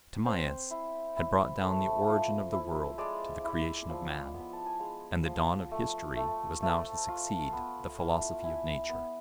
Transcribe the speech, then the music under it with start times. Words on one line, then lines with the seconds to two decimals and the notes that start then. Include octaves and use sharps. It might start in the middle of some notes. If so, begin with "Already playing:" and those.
Timaeus had brought down the origin of the world to the creation of man, and the dawn of history was now to succeed the philosophy of nature.
0.25 C4 C5
0.71 E4
1.16 E4
1.62 A3
2.08 F3
2.52 E4
2.98 G#3 D5
3.44 E4
3.89 F3
4.34 B3 B5
4.53 A5
4.66 G#5
4.80 G#3 F5
5.25 F3
5.72 A3
6.16 A3
6.62 A3
7.08 F4
7.53 B3
7.98 E4
8.44 E4 G#5
8.89 B3